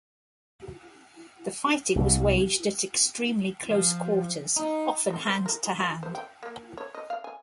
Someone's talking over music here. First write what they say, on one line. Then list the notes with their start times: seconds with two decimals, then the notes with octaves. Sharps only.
The fighting was waged at extremely close quarters, often hand-to-hand.
1.96 C2
3.70 F3
4.56 D#4
5.10 C4
5.27 C5
5.46 A#4
5.63 G#4
5.80 G#5
6.03 C5
6.15 G5
6.43 A#3
6.77 C#5
6.95 D#5
7.10 F5
7.24 G#5